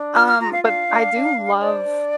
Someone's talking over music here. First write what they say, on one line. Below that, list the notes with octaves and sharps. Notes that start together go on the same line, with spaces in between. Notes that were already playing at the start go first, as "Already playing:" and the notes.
Um, but I do love
Already playing: D4
F4 F6
F6
F4 A#5
F5
D4 F5
D4
D4
D4
C5 D5
D4